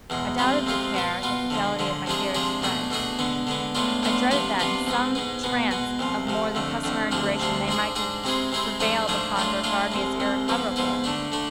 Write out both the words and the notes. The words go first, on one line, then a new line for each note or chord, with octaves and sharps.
I doubted the care, the fidelity of my dearest friends. I dreaded that, in some trance of more than customary duration, they might be prevailed upon to regard me as irrecoverable.
E2 B2 G#3
F2 C3 G#3 C4 F4
F2 C3 G#3 C4 F4
B2 B3 F4
B2 B3 F4
D3 F3 G#3
D3 F3 G#3
C3 F3 G#3 D4 G#4
C3 F3 G#3 D4 G#4
B2 A3 D4 G#4
B2 A3 D4 G#4
D3 G#3 B3
D3 G#3 B3
A2 G#3 B3 D4 F4
A2 G#3 B3 D4 F4
C3 F3 B3 D4 F4
C3 F3 B3 D4 F4
G#2 G#3 B3
G#2 G#3 B3
B2 G#3 B3
B2 G#3 B3
C2 C3 F3
C2 C3 F3
F2 D3 A3
F2 D3 A3
D2 C3 F3 G#3 D4
D2 C3 F3 G#3 D4
G#2 G#3 D4 G#4
G#2 G#3 D4 G#4
C3 G#3 C4 E4 G#4
C3 G#3 C4 E4 G#4
G#2 F3 A3 D4 G#4
G#2 F3 A3 D4 G#4
A2 G#3 D4 F4
A2 G#3 D4 F4
C2 C3 G#3
C2 C3 G#3
G#2 F3 B3 E4
G#2 F3 B3 E4
D3 A3 D4
D3 A3 D4